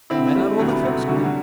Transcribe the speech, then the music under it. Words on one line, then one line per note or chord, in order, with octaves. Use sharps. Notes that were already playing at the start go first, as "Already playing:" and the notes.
"Where are all the folks going?"
D3 C4 E4
G3 A3 C4
D2 F#3 A3
B3
C3 F#3 A3
D3 F#3
G3
F#3